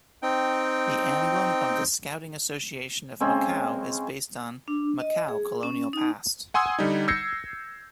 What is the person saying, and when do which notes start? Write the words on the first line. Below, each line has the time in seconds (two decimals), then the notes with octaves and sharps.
The emblem of the Scouting Association of Macau is based on Macau colonial past.
0.22 C4 D#4 G5
3.20 C#3 G#3 C4 C#4
4.68 D4
5.00 D#5
5.28 G#4
5.63 C#4
5.93 D#4
6.54 F#5 G#5 C6 D#6 E6 G#6
6.79 D3 G3 D#4
7.08 E6 G6 G#6 A#6 C7 C#7